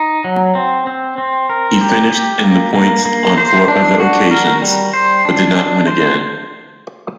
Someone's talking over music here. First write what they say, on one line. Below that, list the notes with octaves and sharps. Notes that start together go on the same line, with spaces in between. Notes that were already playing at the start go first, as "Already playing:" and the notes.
He finished in the points on four other occasions, but did not win again.
Already playing: D#4
F#3
C4
C4
C4
A#4
G4
G4
A#3
A#3
A#3
C5
D4
F#4
A#4
G3
C5
D4
D4
C5